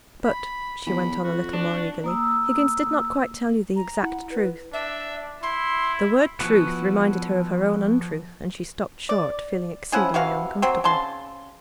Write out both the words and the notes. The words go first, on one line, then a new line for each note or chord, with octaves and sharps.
But,' she went on a little more eagerly, 'Higgins did not quite tell you the exact truth.' The word 'truth,' reminded her of her own untruth, and she stopped short, feeling exceedingly uncomfortable.
B5
E2 B5
F2 F#4
D4
A#3 D#6 E6
A#5
E4 F#5
B4
D4 E5
E4 C6
E3 F3 B3 E4 F#4
D5
F3 C#4 E4 F#5
C3 E3 F#4 F5
F#3 C4
C#3 A5 C6